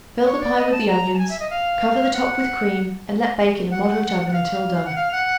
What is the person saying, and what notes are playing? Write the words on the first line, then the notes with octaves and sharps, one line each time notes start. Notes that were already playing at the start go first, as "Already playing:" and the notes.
Fill the pie with the onions, cover the top with cream and let bake in a moderate oven until done.
C#5
D5
D#5
A5
A#5
A5
G#5
E5
D#5
F5
F#5
F#5
F#5
F5
F#5
F5
F#5